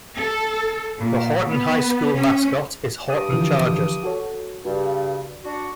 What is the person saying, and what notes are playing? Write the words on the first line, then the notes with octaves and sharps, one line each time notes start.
The Horton High School mascot is Horton Chargers.
A4
A#2
B3
C#4
G2 D6 D#6
D3 E3 F3
F#4 A4 C#5
G2 C#3 F#4
D4 F#4